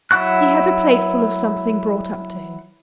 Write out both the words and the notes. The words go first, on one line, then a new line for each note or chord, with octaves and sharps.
He had a plateful of something brought up to him.
F#3 E4 F#5 C#6 F#6